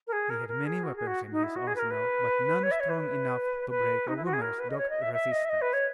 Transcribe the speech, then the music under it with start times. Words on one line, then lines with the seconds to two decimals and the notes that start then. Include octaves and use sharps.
He had many weapons in his arsenal; but none strong enough to break a woman's dogged resistance.
0.07 A#4
0.12 G#4
0.30 A#4
0.48 A#4
0.66 G#4
0.83 F#4
0.96 G#4
1.07 F#4
1.31 D#4
1.43 E4
1.55 F#4
1.67 G#4
1.75 B4
1.79 A#4
1.90 B4
2.63 C#5
2.71 E5
2.80 C#5
2.89 B4
3.69 B4
4.07 D#4
4.16 E4
4.25 F#4
4.33 G#4
4.41 A#4
4.59 B4
4.70 D#5
4.78 C#5
4.89 D#5
5.01 E5
5.13 E5
5.31 D#5
5.45 E5
5.49 D#5
5.61 B4
5.73 C#5